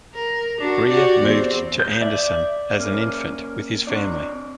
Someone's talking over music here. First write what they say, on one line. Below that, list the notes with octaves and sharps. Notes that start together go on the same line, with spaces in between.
Greer moved to Anderson as an infant with his family.
A#4
D4 F#4
F#4 G4 D5
E2 C4
G6
D5 E5
A#3 C#4
C4 D4 D5